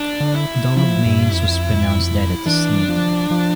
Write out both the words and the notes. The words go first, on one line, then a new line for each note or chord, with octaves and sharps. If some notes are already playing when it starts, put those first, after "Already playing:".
Donald Manes was pronounced dead at the scene.
Already playing: D4
D3
E4
F3 E4
G2
F2
E3 D4
F3
F3